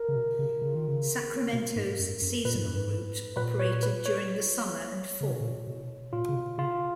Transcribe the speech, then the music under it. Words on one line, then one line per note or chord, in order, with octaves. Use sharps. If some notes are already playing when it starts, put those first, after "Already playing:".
Sacramento's seasonal route operated during the summer and fall.
Already playing: A#4
C#3
B2
C#3
C#3
D#3
C#3
B2
G#2
F#2
F#2
A#2 B4
G#2
F#2
G#2
A#2 B4
C#5
B4
C#5
C#3
B2
A#2
B2
B2
A#2 F4
C#3
B2
C#3 F4